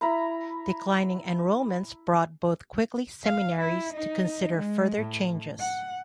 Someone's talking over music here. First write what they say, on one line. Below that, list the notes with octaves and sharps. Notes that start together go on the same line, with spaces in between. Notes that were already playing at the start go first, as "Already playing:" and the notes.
Declining enrollments brought both Quigley seminaries to consider further changes.
E4 A#5 B5
F5
E4
D#4
G#3
A2
F#5